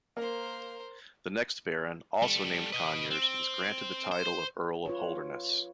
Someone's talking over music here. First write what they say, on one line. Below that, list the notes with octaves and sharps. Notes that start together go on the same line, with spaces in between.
The next baron, also named Conyers, was granted the title of Earl of Holderness.
A#3 A#4 C5
G3 A4
B4 D#5
C4
C5
F4 B4 C#5